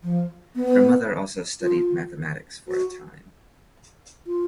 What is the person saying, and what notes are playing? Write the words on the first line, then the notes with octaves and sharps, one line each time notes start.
Her mother also studied mathematics for a time.
F3
B3
F4
F#4
F4